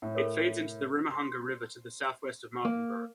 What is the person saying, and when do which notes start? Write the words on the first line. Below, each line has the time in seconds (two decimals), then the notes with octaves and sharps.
It feeds into the Ruamahanga River to the southwest of Martinborough.
0.02 A2
0.15 A4 A#4 C#5
1.10 C6
2.65 A#3